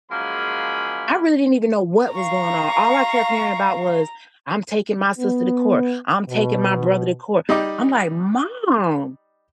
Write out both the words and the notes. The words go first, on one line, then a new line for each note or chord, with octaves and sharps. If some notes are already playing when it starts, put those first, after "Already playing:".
I really didn't even know what was going on. All I kept hearing about was, "I'm taking my sister to court. I'm taking my brother to court." I'm like, "Mom,
F#2 F3 G#3 A#3 G#4 B5
F5 A#5 C#6
B3
B2
G3 D#4 D#5 D6